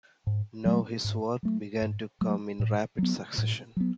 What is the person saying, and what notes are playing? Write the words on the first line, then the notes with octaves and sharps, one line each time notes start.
Now his works began to come in rapid succession.
G#2
F#3 A3
G#2
F#3 A3
G#2
F#3 A3
A2
F#3 B3
A2
F#3 B3